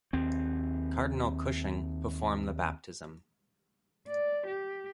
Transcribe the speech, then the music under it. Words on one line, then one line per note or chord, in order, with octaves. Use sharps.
Cardinal Cushing performed the baptism.
D#2 C4
D5
G4